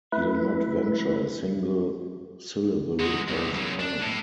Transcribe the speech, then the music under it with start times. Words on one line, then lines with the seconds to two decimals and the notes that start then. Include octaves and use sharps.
He’ll not venture a single syllable all the time!
0.12 A3 E4 B4
3.00 G#3 F#4
3.28 C2
3.54 F#2 C#3
3.79 D4
4.01 A2